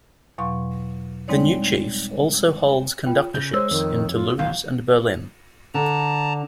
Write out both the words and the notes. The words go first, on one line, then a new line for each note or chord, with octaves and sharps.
The new chief also holds conductorships in Toulouse and Berlin.
E2 B2 F#3 F5 C6 C#6
G3 G#3 C4 D#4 C#5 D5
F4 G5
C#3 G6
G#3 C5 C#5 E6
F2 D#3
F4
D1 B1 E2 F5
D3 A5 A#5